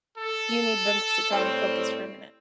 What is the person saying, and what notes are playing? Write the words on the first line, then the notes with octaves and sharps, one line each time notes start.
you need them to sit down and focus for a minute.
A4
A2 G3 C4